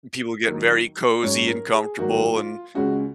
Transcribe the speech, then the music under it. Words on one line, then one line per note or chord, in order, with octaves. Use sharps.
people get very cozy, and comfortable, and
D#2 D#3 F#3
G#2 F#3 C#4 C#5
A#4
G#4
G#2 D#3 F#3 A#3 F#4
F4
C#2 C#3 G#3 C#4 F#4